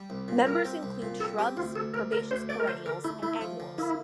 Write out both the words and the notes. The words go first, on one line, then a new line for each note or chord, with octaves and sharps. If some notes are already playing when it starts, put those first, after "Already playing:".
Members include shrubs, herbaceous perennials, and annuals.
Already playing: G3
C2
A#2
G3 A#4
C4
C2
A#2
G3 A4
C4 G4
D2 F4
D2 A4
D2 A#4
D3 A#4
D2 C5
A3 D5
A#4
D3 C5
D3 A#4
A3 E4
A3 E4
F3
D3
A#3 E4